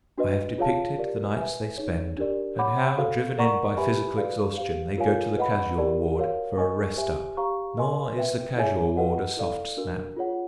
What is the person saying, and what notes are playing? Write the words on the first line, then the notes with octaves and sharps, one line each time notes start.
I have depicted the nights they spend, and how, driven in by physical exhaustion, they go to the casual ward for a "rest up." Nor is the casual ward a soft snap.
D4 F#4 B4 D#5
F4 G#4 C#5 F5 A5
G4 A#4 D5
B4 E5 G#5
D#4 G#4 C#5
D4 G4 A#4 D5
C#5 F#5 B5 D6
F#4 A4 C5 F5
A#4 D5 F#5 A#5 C#6
G4 B4 E5 G#5 B5
F#4 B4 D5 F5
G4 C5 F5
F4 A#4 C#5 F5 G#5
B4 D#5 F#5 B5
G4 A#4 D5
F#4 A#4 C#5 F5
A#4 D#5 G#5 C#6
G4 C5 E5 G#5
G4 C5 F5 A#5 C#6
A#4 D#5 G#5 C6
B4 E5 G5
E4 G#4 C#5 E5 G#5
F#4 B4 D#5 F#5
E4 A4 D5 F5
D4 F#4 A#4
F4 G#4 C#5 F#5